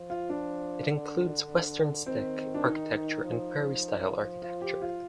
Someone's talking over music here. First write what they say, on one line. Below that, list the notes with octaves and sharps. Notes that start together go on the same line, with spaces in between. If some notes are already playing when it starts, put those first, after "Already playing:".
It includes Western Stick architecture and Prairie style architecture.
Already playing: F3
F4
D4
D3
D#3 C4
D4
D#4
F3
F4
G4
F4